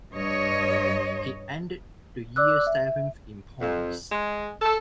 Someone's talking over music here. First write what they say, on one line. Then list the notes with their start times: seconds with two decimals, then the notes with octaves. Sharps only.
He ended the year seventh in points.
0.15 G2 C#5 D#5
2.36 D5 D6 E6 F#6
2.67 E5
3.60 F2
4.10 G#3
4.61 A4